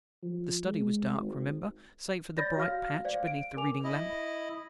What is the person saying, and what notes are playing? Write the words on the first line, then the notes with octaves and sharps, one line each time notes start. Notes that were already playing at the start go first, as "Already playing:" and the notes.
The study was dark, remember, save for the bright patch beneath the reading-lamp.
F3
G#3
G#1
C#5 D5 B5 G6 A6 A#6
F#4 F5 F6 A#6
C5 D5 F5
D7
A#4 G#5 D6 F7
E4 D#5